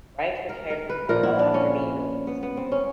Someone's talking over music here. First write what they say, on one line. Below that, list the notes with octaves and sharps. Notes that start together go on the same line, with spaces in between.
Wright retired from football after being released.
A#4
A#4
B4
A#2 F3 A#3 A#4
E4
D4
C#4
B3
B3
C4
C#4